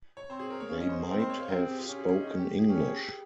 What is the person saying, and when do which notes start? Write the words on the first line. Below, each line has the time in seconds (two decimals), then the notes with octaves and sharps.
They might have spoken English.
0.17 C#5
0.30 C4 C5
0.39 G#4
0.50 A#4
0.60 C#5
0.69 C#4 F5
0.80 D#5
0.89 C5
0.99 G#4
1.10 C4 A#4
1.20 C5
1.30 C#5
1.40 F5
1.49 C4 A#4
1.59 G#4
1.69 G4
1.79 F4
1.89 C#4 G4
1.99 G#4
2.09 G#4
2.19 D#4
2.39 G4
2.59 G#4
2.68 C#4 G4
2.88 G#4